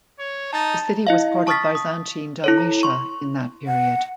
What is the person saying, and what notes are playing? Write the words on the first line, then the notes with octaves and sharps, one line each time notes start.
The city was part of Byzantine Dalmatia in that period.
C#5
D#4 A5 A6
E4 D#5 F5
A5 C#6 D#6 F6 A6 B6
D#6
E4 A4 C#5
A#5
C6 C#6
F#5